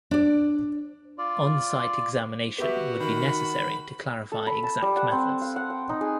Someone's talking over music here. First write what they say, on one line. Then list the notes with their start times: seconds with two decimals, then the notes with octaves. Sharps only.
On-site examination would be necessary to clarify exact methods.
0.11 D4 D5
1.18 F4 D5
2.58 B3 F#4 G4 E5
3.00 D#3 B5
4.32 A4
4.47 B5
4.63 A5
4.82 G3
4.96 F#5
5.12 C4
5.41 F5
5.56 F#5
5.70 G5
5.89 D#4
6.01 G#4